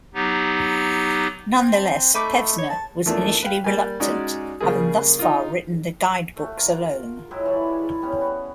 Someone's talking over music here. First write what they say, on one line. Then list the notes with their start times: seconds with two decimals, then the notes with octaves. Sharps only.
Nonetheless Pevsner was initially reluctant, having thus far written the guidebooks alone.
0.14 F#3 B3 D#4 G4
1.58 C4
1.73 A5
2.14 A3 D#4 B4 D6
2.58 C#5
2.70 A5
3.06 E2 F3 A3 A#3 D4
3.42 B4 F5 G5
3.64 G3 A#3 G#5
4.00 G#3 C#4 D#4 F#4 D5
4.61 C#3 G3 A#3 G#4
5.19 D#4 F4
6.36 A3 F#4
6.57 F4 A#4
7.31 F#3 G#3 E4 G4
7.46 E3 C#5 D5
8.02 G3 B3 C#4
8.21 F#4